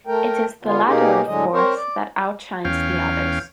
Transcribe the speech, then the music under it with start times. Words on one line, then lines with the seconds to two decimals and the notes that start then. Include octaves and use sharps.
It is the latter, of course, that outshines the others.
0.07 A3 A#4 G5
0.63 D3 B3 F4
0.86 B2 A#3 D#4 G4 G#4
1.27 A2 D3 F#3 G#3 D#5
1.53 C4 A#4 C5 C#5
1.76 D5
2.65 E2 C#4 F5 G5